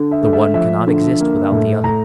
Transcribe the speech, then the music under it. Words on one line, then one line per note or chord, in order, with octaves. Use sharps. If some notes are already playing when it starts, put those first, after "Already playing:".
The one cannot exist without the other.
Already playing: D3
E5
A3
E5
F3 E5
D3
A#3
A2
A2 A#5